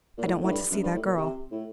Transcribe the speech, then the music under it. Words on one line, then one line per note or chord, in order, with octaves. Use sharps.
I don't want to see that girl.
A#2
A2
A2
G2
F#2
G2
A2
A#2
C3
A2